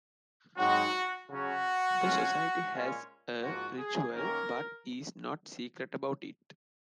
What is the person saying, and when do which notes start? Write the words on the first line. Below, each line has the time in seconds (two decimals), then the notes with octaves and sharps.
The Society has a ritual, but is not secret about it.
0.57 G#2 F#3 C4 D#4 F#4
1.29 C#3 F#3 C#4 F#4
2.00 C#3 F#3 C#4 F4
2.71 A#2 G#3 C#4 F4
3.42 G#2 F3 A#3 F4 F#4
3.78 G#4
4.13 F#2 D#3 A#3 C#4 A#4